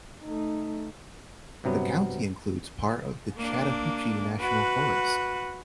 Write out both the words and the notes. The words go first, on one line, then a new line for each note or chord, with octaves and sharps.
The county includes part of Chattahoochee National Forest.
A3 D#4
G2 C3 F#3 B3
A#3 D4
F#4 B4